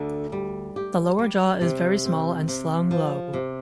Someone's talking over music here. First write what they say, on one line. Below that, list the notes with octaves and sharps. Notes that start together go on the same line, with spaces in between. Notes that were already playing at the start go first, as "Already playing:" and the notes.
The lower jaw is very small and slung low.
Already playing: D2 D3
G3
G4
G3
C3
C4
C3
F3
C3